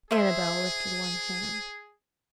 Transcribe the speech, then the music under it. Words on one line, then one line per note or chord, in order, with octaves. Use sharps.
Annabel lifted one hand.
G#4 C5 E5